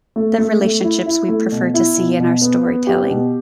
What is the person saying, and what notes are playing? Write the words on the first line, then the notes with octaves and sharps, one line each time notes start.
the relationships we prefer to see in our storytelling?
A3
A3
A3
E4
E4
A3
B2
E4
B2
B2
B3
B3
G4
B2